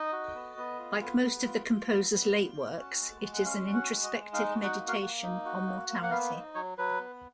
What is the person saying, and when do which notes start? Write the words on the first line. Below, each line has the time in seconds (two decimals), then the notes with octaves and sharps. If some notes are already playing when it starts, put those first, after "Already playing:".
Like most of the composer's late works, it is an introspective meditation on mortality.
Already playing: D#4 D#5
0.13 F#4
0.35 B3
0.57 B3
0.79 F4
1.01 B3
1.23 B3
1.45 F4
1.68 F4
1.89 B3
2.11 B3
2.33 F4
2.57 C#4
2.79 F#4
3.00 G#3
3.22 G#3
3.34 F#5
3.45 C#4 F5
3.67 F#4
3.74 F#5
3.89 G#3
4.04 D#5
4.11 G#3
4.33 D#4 F5
4.55 F#4
4.63 F#5
4.78 A#3
4.88 F5
4.93 F#5
5.00 A#3
5.23 D#4
5.45 F#4
5.67 A#3
5.89 A#3
6.03 F#5
6.11 B3 F5
6.33 D#4
6.55 F#3 C#5
6.78 F#3 B4
7.00 B3